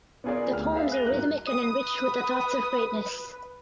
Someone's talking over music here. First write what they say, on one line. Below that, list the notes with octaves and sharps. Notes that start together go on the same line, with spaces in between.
The poems are rhythmic and enriched with the thoughts of greatness.
B3 C#4 F4 G#4 A#4 D5
D2 G4 F6
G#4 B4 E5 F5
F#6 A#6 D#7 F7 G7
G#2 F#3 A#4 F#6
B4 D#6